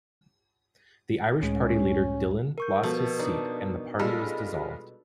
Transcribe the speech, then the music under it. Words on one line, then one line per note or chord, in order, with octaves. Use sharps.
The Irish Party leader Dillon lost his seat and the party was dissolved.
C#2 A2 G#3 C#4
A#4 C#6 G6
B2 F3 A4
D4 D#4
G3 G#3 F4 A4